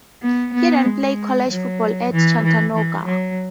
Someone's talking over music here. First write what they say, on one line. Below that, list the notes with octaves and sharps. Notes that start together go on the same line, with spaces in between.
He then played college football at Chattanooga.
B3
B3
G#3
F#3
E3
E3
E3
F#3